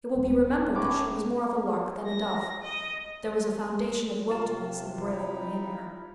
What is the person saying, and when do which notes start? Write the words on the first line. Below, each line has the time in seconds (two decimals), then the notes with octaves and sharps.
It will be remembered that she was more of a lark than a dove. There was a foundation of wildness and bravery in her.
0.15 D#1
0.76 A2 A#3 C#4 D6
2.07 A#6
2.63 D#5
4.31 C3 F4 A5
5.09 D#4 E4 B5